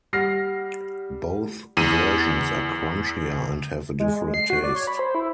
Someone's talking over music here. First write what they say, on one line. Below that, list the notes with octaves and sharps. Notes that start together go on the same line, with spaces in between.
Both versions are crunchier and have a different taste.
G3 F#5 F6 A#6 C7
E2 D#7
G#3
G#3
C7
F#4
D5
C#5
B5
C5
E4